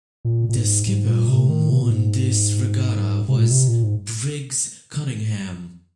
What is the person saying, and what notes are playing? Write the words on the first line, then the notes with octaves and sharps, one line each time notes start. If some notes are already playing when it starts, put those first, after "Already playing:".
The skipper whom won this regatta was Briggs Cunningham.
A#2
A#2
G#2
G#2
A#2
C3
D#3
C3
A#2
G#2
C3
A#2
C3
A#2
G#2